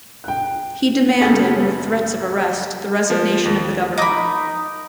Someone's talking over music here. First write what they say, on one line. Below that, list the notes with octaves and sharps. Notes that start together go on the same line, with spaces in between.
He demanded, with threats of arrest, the resignation of the government.
G5 F#6
F#1 C#3 A3 G4 G#4 A6
F3
D#2
D#4 A#4 D#5 B5 D6 D#6